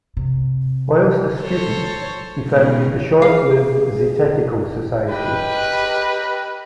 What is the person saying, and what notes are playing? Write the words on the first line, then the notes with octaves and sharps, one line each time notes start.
Whilst a student he founded the short-lived Zetetical Society.
C3
A4 C5 C#5
G#2 B2 D#3
G#4 F5
G4 B4 D#5